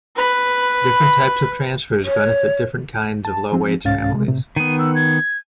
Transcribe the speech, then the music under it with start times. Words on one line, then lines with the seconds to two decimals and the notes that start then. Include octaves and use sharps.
Different types of transfers benefit different kinds of low-wage families.
0.16 B4 B5
2.05 C#5
3.25 A5
3.52 F3 C4
3.84 C2 G#2 C#4 F5 A6
4.12 C3 G#3
4.28 A2 C3
4.56 D#3 B3 D#7
4.79 E6
4.95 G#6